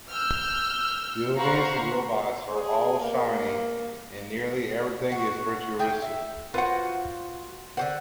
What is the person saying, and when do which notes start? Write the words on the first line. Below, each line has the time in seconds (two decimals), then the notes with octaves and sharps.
Buildings and robots are all shiny and nearly everything is futuristic.
0.13 E6 F6 G6
1.36 C5 F5 F#5 A#5 B5 C#6
2.53 G#4
3.01 A#3
5.12 F#4
5.79 G#4 E5 G5
6.02 E5
6.54 F4 F#4 B4 C5 F#5
7.77 D3 G4 C5 F#5